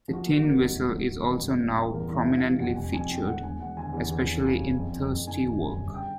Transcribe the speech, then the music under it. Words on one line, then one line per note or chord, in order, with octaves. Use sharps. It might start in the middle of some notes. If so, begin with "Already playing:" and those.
The tin whistle is also now prominently featured, especially in Thirsty Work.
F3
F#4
A#3
F#4
A#3
G#1
G#1
G#1
G#1
A1
A1
A1
A1
E2 A#4
E3 E5
E3
C3 F5
F2 F#5
F1 G#5
F2 G#5
D3 G5
E1 F#5
E1 G#5
E1 F#5
D2 G#5
E2
E2
E2
C#3
F#1
F2
F2
F#1
D3 G#5
G1
F#2
G1
C#3 G5